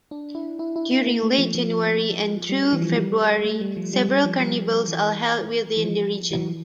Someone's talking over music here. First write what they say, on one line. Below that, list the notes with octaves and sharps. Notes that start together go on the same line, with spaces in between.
During Late January and through February, several carnivals are held within the region.
D4
E4
E4
E4
E4
A#3
A3
F3
F3
G3
E3
F3
G3
A3
G3
F3
G3
G3
F3
G3
E3
E3
F3
E3